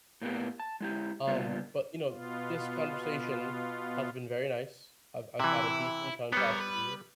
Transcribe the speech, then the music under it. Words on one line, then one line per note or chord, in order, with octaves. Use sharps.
um, but, you know, this conversation has been very nice. I've I've had a decent time talking to you
A2 A#3 B3 G4
A5
G#3 E4 G4
C#3 G3 A#3 B3 F4
B2 B3 F4
C3 E3 E4
G3 A#3 B3 C#5
B4